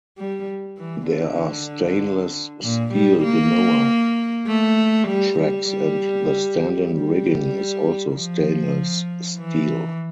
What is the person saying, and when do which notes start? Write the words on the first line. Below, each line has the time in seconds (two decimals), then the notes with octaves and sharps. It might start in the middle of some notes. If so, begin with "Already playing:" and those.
There are stainless steel genoa tracks and the standing rigging is also stainless steel.
0.18 G3
0.78 E3
1.10 D3
2.63 A#2
2.93 G3
3.24 A#3
4.47 A3
5.08 G3
5.39 G3
5.70 G3
6.92 G3
8.15 F3
9.38 E3